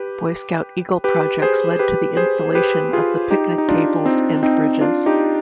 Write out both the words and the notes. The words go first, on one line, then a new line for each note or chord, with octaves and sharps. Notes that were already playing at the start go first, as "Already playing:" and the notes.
Boy Scout Eagle projects led to the installation of the picnic tables and bridges.
Already playing: G4 B4
G4 B4
G#4 C5
G4 B4
G#4 C5
G4 B4
F4 G#4
D#4 G4
D#4
D4 F4
C4 D#4
C4 D#4
D4 F4
D#4 G4